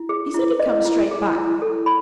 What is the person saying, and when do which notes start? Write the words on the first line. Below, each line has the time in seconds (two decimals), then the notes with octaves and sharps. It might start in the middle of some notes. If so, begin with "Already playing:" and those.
He said he'd come straight back.
Already playing: E4
0.09 G#4
0.34 E4
0.60 D#5
0.85 E4
1.11 G#4
1.36 E4
1.62 A4
1.86 B5